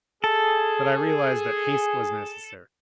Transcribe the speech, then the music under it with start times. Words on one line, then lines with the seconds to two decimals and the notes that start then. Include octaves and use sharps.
But I realized that haste was necessary.
0.24 G#4 A4